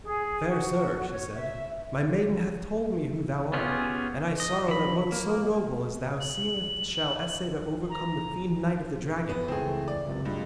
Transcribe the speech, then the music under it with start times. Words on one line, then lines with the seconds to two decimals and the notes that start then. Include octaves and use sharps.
'Fair sir,' she said, 'my maiden hath told me who thou art, and I sorrow that one so noble as thou seemest shall essay to overcome the fiend knight of the Dragon.
0.05 G#4
0.48 F#4
1.09 C#5
1.35 E5
3.53 B3 C#4 F4 G4 G#4
4.40 D#5
4.68 F3 B5
5.12 A#3
6.21 F#7
7.90 A#5
9.29 B3
9.48 C#2 E3 A3 C4 G#4
9.88 D5
10.07 C#2 F#2 C3
10.25 G2 A#2 G#3